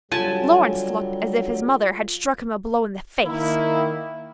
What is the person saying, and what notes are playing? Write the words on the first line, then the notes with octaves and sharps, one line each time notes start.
Lawrence looked as if his mother had struck him a blow in the face.
D3 F#3 G3 F4 G#5 A5
D#3 A#3 E4